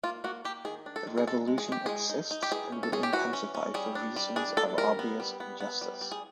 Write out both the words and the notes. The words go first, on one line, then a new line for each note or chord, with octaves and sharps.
The revolution ""exists and will intensify for reasons of obvious injustice"".
A#3 F4
A#3 F#4
A#3 G4
D#3 G#4
D4
A4
D#3
G#4
G#3 A4
G#3
G#4
G#3 G4
G#3 G#4
D#4
D#4
G4
E3 G#4
C#4
A4
C#4 G#4
G4
E3 F#4
C#4
C#4
G3 G#4
D4
G3
D4 G#4
A#3 A4
G3 A#4
B3
G3
B3
B3
G3
G3
G#4